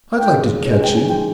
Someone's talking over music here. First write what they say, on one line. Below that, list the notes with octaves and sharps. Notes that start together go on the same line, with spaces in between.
I'd like to catch you!
G#2 F3 C4 F4 G5
C#5
C3 D#3 G#3 C#4 D#5
G5
G#5
G5